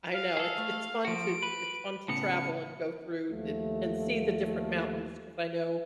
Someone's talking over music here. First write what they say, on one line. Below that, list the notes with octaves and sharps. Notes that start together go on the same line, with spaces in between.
I know it's it's fun to it's fun to travel and go through it and see the different mountains, 'cause I know,
F5
G#4 A4
A3
F3 F#4 D7
B4
A2 C#3 B3 C#7
D#2 F3 A3